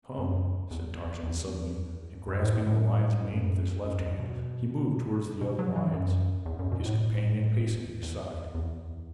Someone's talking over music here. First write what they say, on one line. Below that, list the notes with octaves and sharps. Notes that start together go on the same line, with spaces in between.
"Come," said Tarzan suddenly and grasping the lion's mane with his left hand he moved toward the other lions, his companion pacing at his side.
F#2
E2
E2
F#2
A2
A2
A2
F#2
F#2
E2
B2
B2
F#3
E3
F#2
E2
F#2
B2
A2
E2
E2